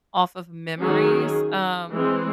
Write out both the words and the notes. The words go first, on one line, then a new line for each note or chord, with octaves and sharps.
off of memories, um,
D#3 F#3 C#4 G#4
E3 G#3 C4